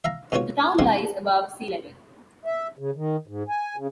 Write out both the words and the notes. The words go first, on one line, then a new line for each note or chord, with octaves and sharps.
The town lies above sea level.
E5 F5 A#5
G#2 B2 F4 F#4 C#5
G#3 C4 F5 F#5
E5
C#3
D#3
G#2
G#5
C#3